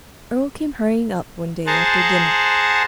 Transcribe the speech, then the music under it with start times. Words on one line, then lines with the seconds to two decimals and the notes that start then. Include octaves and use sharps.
Earle came hurrying up one day after dinner.
1.66 G#4 C5 F#5 A5 A#5